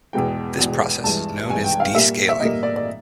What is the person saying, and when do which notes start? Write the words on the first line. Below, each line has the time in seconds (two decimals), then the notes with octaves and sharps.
This process is known as descaling.
0.13 E2 B2 G#3 G5
0.59 E2 B2 G#3
1.04 G2 E3 G#3 A5
1.50 G2 E3 G#3 G#5
1.64 G5
1.80 F5
1.95 A#2 G3 A#3 E5
2.29 E5
2.40 A#2 G3 A#3 D#5
2.63 D5
2.76 D5